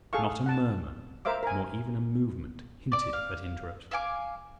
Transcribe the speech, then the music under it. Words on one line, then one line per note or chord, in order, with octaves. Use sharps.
Not a murmur nor even a movement hinted at interruption.
G#4 A4 F5 C#6
F#5 A5
A#4 C5 E5 F5 D6
A#4 G#5
D5 D6
F5
E5 F5 G#5 D6